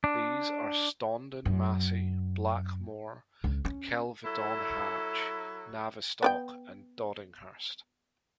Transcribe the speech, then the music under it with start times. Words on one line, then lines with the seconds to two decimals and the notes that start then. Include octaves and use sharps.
These are Stondon Massey, Blackmore, Kelvedon Hatch, Navestock and Doddinghurst.
0.04 D4
1.45 F#2
3.44 C#2
3.65 C#4
4.24 F#3 E4 A4
6.22 B3 D5 G5